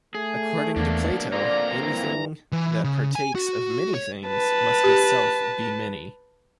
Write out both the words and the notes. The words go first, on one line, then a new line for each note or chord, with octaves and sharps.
According to Plato, anything that partakes of many things must itself be many.
A3 G#4
E2 A#3 B3 D4
D3 A#3 C4 D4 F4 D5 A#5
G2 E3
E3
C#3
G#5
F#4
C#5
B4 A5
G4